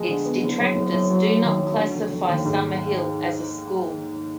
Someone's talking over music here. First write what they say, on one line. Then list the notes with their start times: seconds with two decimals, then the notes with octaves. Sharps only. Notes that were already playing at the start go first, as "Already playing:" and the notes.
Its detractors do not classify Summerhill as a school.
Already playing: F2 G#3
0.08 D3
0.26 B3
0.42 F#1
0.59 F#2
0.76 F#1
0.93 F#2
1.10 F#3
1.27 F#3
1.43 D#2
1.60 F#3
1.77 D3
1.95 F1
2.12 F1
2.29 D#2
2.45 G#2